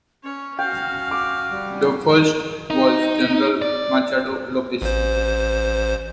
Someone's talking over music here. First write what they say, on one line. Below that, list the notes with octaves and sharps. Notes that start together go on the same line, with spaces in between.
The first was General Machado Lopes.
C#4 C#5
F#4 F5 G5
D6
G3
D#4
D5
A1 C5